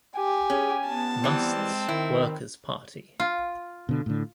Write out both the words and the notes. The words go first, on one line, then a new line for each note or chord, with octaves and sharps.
Muste's Workers Party.
G4 G#5
C#4 G#4
B3 A5
E3 G3 C4
G#3
D#3 E4
F4
B2 D3
A2 D3